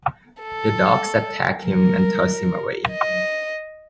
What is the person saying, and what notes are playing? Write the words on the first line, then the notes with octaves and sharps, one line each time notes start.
The dogs attack him and toss him away.
A4
A#4
D#5